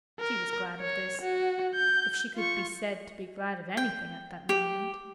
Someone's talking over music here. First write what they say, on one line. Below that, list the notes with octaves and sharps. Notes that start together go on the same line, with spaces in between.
She was glad of this, if she could be said to be glad of anything at that moment.
A#4
C#5
F#4
G6
F4 C#6
G5
G4